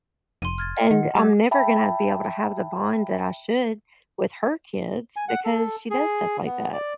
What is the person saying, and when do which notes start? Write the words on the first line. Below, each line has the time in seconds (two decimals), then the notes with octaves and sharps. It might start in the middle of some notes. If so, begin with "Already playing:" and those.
And I'm never gonna be able to have the bond that I should with her kids because she does stuff like that.
0.42 F1 C6 D#7
0.58 F6 G#6 A6
0.77 D#5
0.91 D#3 F#5
1.15 G3 D6 G#6
1.51 E5 G5 A5 B5
5.16 G#5
5.28 F#5
5.44 A4
5.90 G#4
6.46 B3
6.73 D5